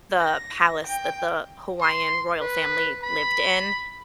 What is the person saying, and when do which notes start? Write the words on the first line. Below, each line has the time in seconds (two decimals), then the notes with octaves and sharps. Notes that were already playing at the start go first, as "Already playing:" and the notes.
the palace that the Hawaiian royal family lived in,
0.21 A#6
0.87 G5
1.81 C6
2.41 B4
3.03 B5